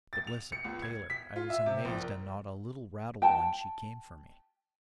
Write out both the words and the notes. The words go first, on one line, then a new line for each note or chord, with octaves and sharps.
But listen, Taylor. I was amazed, and not a little rattled when she came for me.
A6
F7
C#7
C#2
G#6
B6
F4
E5
C3
A#1
A#4
G5 A5